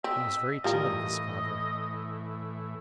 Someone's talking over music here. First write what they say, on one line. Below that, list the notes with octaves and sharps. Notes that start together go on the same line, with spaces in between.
He was very timid of his father.
C4 D#5 E5
A2 E3 G3 F4 A#4 D#5